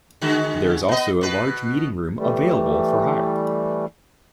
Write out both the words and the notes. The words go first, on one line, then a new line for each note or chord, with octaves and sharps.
There is also a large meeting room available for hire.
D3 G#3 F#4
B3 D#5
B2 B4
E3 G3 A3